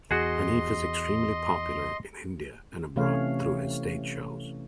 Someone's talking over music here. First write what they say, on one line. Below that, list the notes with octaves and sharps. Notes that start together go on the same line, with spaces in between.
Haneef is extremely popular in India and abroad through his stage shows.
E2 F#4 G#4 D#5 C6
C3 E3 A3 C#4 C#5 F5